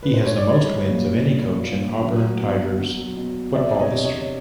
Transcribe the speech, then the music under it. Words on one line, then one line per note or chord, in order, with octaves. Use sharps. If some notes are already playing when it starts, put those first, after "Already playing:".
He has the most wins of any coach in Auburn Tigers football history.
B4
C5
C#5
D5
G3 C#5 D#5
A#2
G3
A#2
F#3
B2
F#3
B2
C3 D5 E5
C#5 D#5
C3
C#5 D#5